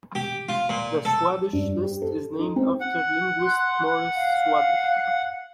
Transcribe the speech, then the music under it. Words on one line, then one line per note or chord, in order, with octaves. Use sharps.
The Swadesh list is named after linguist Morris Swadesh.
G4
F4
A#2
A4
G2
G4
A4
D#4
C4
F#5
C6 F#6
F5